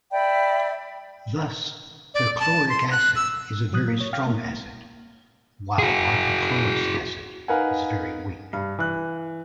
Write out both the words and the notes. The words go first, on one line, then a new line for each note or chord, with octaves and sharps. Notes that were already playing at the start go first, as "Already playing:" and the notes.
Thus perchloric acid is a very strong acid while hypochlorous acid is very weak.
D5 E5 G5 B5
D5
A5
C6
F#6
E6
A2 D#3 F#3 D#6 F#6
A#3
C#5
F5 G5 F6
A#3
F#4 G#4
D#4 A#4 B4 F5 F#5 G#5
G2
E3 F#6